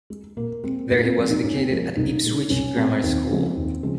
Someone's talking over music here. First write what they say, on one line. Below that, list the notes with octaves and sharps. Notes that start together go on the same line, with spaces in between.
There he was educated at Ipswich Grammar School.
G#3
A#2 A#3
G#3 C4
G#2 A#3
C4
F3 G#3 C4
D#4
G#2 C#4
C4
F3 G#3 A#3
C2 D#4
A#2 G#3
C2 C#4
A#2 G#3 C4
D#2
C#3 F3 G#3
D#2
C#3 F3 G#3